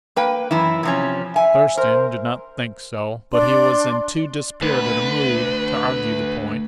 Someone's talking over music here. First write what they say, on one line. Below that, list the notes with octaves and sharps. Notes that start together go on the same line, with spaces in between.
Thurston did not think so, but he was in too dispirited a mood to argue the point.
A#3 B4 G5
F#2 E3 E4
C3 F3 C#4
E5 G#5
A#4 C5
D4 D5 C6
D2 B4